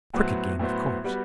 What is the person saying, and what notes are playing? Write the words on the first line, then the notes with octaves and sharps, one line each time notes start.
A crooked game, of course.
A2 F#3 B3 F#4 C5
A2 F#3 B3 F#4 C5
G3 B3 F#4